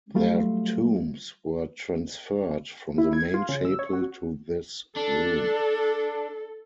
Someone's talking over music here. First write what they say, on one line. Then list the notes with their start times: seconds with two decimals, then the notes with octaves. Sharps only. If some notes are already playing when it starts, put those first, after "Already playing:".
Their tombs were transferred from the main chapel to this room.
0.14 F#3 G3 A3 F4
2.98 E4
3.13 G#6
3.34 F4
3.49 C#3
3.65 E6
3.79 C#5
3.93 F#4
4.97 D4 A4